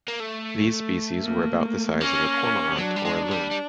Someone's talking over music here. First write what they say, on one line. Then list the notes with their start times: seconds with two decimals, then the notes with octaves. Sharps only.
These species were about the size of a cormorant or a loon.
0.08 A#3
0.20 A3
1.23 A#3
2.01 A#3 C#4
2.71 G3
2.79 F#3 D4
2.96 G3
3.05 G#3
3.23 F#3
3.31 G3
3.51 G3